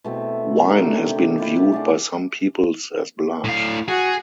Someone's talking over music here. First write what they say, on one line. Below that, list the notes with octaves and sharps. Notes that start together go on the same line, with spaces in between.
Wine has been viewed by some peoples as blood.
B2 A3 C4 E4
D3 D#3 A3 D#4
C3 G4
E4 F4 G4
A3 D4 G#4 F#5
A2 F5
F#4 G#4